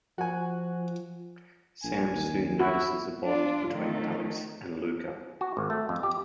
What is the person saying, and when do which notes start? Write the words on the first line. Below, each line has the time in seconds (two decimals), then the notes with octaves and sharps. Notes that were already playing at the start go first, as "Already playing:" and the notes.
Sam soon notices a bond between Alex and Luka.
0.18 F3 F#4 G#5
1.84 A#1 G#5
2.15 D#2
2.60 E4 F#4
3.24 D4 F4
3.72 D#3 A3
5.41 F#4
5.57 G#1
5.70 A3
5.89 F2
6.03 G4